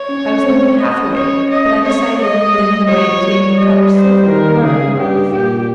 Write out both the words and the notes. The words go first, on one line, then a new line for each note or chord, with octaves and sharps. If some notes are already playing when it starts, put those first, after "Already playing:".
I was only half awake, but I decided that he might take the Cutters' silver, whoever he was.
Already playing: C#5
C#4
C4
C#4 D#5
C#5
D#5
C4 C#5
G#3 D#5
G3
F3 C#5
G3
D#5
C5
D#3 A#4
C#3 G#4
G2 G4
A#2 G4